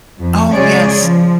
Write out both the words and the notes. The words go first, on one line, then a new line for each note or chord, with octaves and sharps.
Oh, yes.
F2
C#3 G#3 G#4 C#5 D5
F3